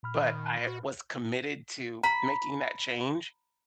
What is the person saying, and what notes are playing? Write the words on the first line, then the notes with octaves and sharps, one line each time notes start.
but I was committed to making that change,
A#2 B5 F6
D#3
F#4
A#5 B5